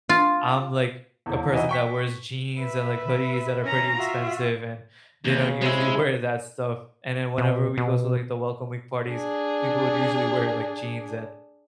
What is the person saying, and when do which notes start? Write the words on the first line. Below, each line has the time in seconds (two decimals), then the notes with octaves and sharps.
I'm, like, a person that wears jeans and, like, hoodies that are pretty expensive, and they don't usually wear that stuff, and then whenever we go to, like, the welcome week parties, people would usually wear, like, jeans and
0.09 F4
1.26 D#1 E2
1.53 E3 D#4 F#4
1.69 G5 C#6 B6
2.58 B4 E5
3.64 C#4 A#5
3.98 F4 F#4 E5
5.25 D#2 C#3
5.62 G#3 E4 C5
7.38 B2
7.78 B2
9.09 D4 G#4